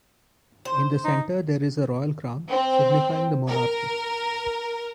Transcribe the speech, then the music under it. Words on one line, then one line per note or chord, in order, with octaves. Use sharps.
In the centre there is a Royal Crown, signifying the monarchy.
C5
D#4
C4
A#4